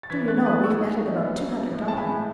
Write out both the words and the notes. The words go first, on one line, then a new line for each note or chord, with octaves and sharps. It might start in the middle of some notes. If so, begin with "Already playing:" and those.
Do you know, we've netted about two hundred dollars.
A6
E3 G#6 B6
B3 F#6 A6
B3 D#6 F#6
D#4 C#6 E6
A2
D#4
B3
F#3
B3
A2
G#3 A5
G#5 B5
A2